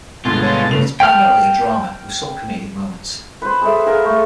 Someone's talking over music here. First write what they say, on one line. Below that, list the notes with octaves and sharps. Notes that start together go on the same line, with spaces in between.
It is primarily a drama with some comedic moments.
D2 G2 B2 F3 G#3 F4 A5
C#4 F4
G2 C#3 A3 F7
G5 F6
B4 C5
G#4 A4 E5
G#4 A#4 F5
A3